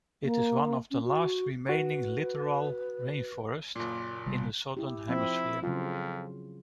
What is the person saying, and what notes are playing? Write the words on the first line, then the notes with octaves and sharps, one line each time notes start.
It is one of the last remaining littoral rainforests in the Southern Hemisphere.
A#3
C#4
F#4
F#4 B4
F#1 A#2
G#1 C3 G3
E4 G4
F3 C4 E4
F2 C#3 F#3 F4